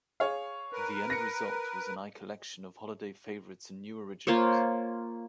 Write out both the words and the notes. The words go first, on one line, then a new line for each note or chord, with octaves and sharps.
The end result was a lcollection of holiday favorites and new originals.
G#4 C#5 F5
A#4 B4
A#6 C#7
A#3 F4 C5 C#5